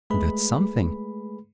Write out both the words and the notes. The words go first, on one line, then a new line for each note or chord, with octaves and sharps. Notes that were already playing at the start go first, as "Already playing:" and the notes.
And that's something.
G#3 A3 G#4 B4 B5